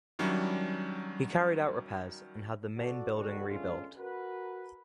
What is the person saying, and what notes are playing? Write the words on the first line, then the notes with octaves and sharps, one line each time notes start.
He carried out repairs and had the main building rebuilt.
D#3 F#3 G3 C#4 D4 E4
F#4 A4 D5
B2 D3 D#3 G3 F#4
E2 D3 G#3 C#4 F4
F#4 A#4 B4